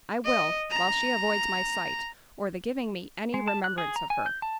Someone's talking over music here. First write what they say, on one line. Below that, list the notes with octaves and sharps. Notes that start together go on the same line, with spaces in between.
I will, while she avoids my sight, or the giving me any remembrance of her.
D#5
A#5
G#3
A5
F#6
G#4
A#5
G#5
G6
A5